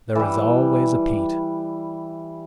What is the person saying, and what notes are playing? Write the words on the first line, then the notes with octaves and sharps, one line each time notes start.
There is always a Pete.
E3 G3